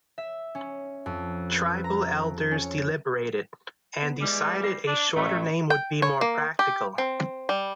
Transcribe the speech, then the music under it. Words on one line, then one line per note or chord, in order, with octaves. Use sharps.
Tribal elders deliberated, and decided a shorter name would be more practical.
E5
C#4
F2
B4
A#5
C#4
B3
E2 G3 G#3
A#6 C7
D4
A1 F#3 A3
G5
C#5
A#3
G4
C4
G3